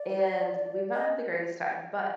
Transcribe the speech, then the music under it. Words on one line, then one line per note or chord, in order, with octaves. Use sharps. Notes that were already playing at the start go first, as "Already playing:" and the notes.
and we've not had the greatest time, but
Already playing: D5
D#5